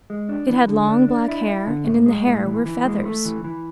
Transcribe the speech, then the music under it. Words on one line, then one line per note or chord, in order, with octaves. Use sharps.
It had long black hair, and in the hair were feathers!
G#3
D4
E3
D3
D4
D4
E4
E4
D3
A2
G#3
A2
E3
E3
G#3
A3
E3
E3